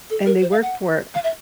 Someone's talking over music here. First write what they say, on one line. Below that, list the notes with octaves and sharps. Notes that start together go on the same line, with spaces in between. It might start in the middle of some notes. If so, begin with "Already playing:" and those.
and they work for, ugh,
A4
A#4
C5
F5
F#5
F5
E5